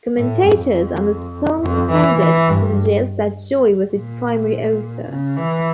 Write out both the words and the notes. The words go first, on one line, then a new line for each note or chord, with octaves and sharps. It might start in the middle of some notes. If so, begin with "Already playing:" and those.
Commentators on the song tended to suggest that Joey was its primary author.
A2
F2
F2
E3
E3
G2
A#2
C#3
E3